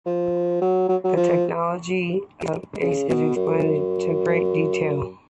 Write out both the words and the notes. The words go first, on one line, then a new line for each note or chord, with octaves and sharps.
The Technology of Arde is explored in great detail.
F3
F#3
F#3
F#3
F3
C#3
B2
F#2